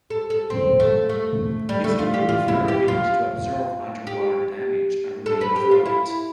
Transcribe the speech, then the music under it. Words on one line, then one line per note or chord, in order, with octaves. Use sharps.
This improved their ability to absorb underwater damage and remain afloat.
A4
A4
C4
A3
A3
G3
A3
F4
G4
F4
E4
G4
F4
G4
A4
B4
G4
F4
E4